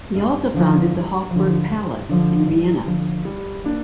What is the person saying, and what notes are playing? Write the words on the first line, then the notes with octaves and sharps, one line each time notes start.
He also founded the Hofburg Palace in Vienna.
G2
D3 F3
G2
D3 F3
G2
D3 F3
G2
D3 F3
G3
A#3 D4